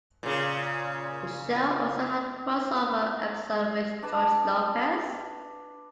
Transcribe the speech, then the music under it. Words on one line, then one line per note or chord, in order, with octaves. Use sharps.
The show also had a crossover episode with "George Lopez".
A#2 C#3
D4 B4 D5 A5